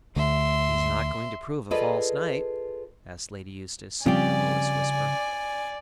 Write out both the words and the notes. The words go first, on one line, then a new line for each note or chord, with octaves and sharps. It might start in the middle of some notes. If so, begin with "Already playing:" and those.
"He is not going to prove a false knight?" asked Lady Eustace, in her lowest whisper.
D2 D3 E5 C6
F4 G#4 A4 B4 D5 D#5
C#3 F3 G3 C4 F4 G4 D5 G#5